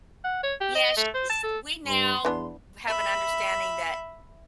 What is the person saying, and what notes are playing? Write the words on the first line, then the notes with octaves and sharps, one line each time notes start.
Yeah, she’s we now, mm, have an understanding that,
F#5
C#5
G4
D#5
A3
C5
A5
A4
G2 C6
E2 E3 B3 D4
E5 B5